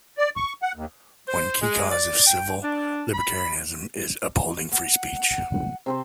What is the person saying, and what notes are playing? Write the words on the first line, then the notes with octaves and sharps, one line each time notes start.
One key cause of civil libertarianism is upholding free speech.
D5
C#6
F#5
D#2
C5
G#3
D5
G5
D4
B5
F#5
C3 C4 C5